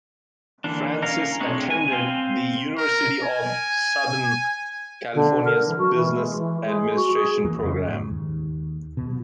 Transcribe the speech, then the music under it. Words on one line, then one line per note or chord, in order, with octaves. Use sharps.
Francis attended the University of Southern California's Business Administration program.
D3 E3 A#3 D4
C#4 A#4 C#5 F5
G#3 A3 C4 D4 C#5
G#5
C4 F5 G5
A#4
G#5
D3
A#4
E3
F#4
E3
G#3
E3
G#3
F#4
G#4
D#2 E3 A#3
F2 C#3
G#2
D#2
B2